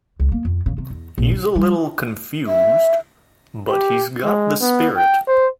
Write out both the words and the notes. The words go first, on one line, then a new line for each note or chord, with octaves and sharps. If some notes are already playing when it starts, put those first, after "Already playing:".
He's a little confused but he's got the spirit.
C#2
A#3
F2
C#3
C3
E2
A#1
D3
G3
E5
G4
G#3
B3
G5
C5